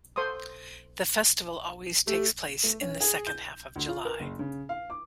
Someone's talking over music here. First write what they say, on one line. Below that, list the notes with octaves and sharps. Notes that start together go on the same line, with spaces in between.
The festival always takes place in the second half of July.
A4 C5 C6 C#6 D#6
A3 G4
A3
C#4
G#4
G6
D2
F4
A#4
F#1
C#3
F5
D6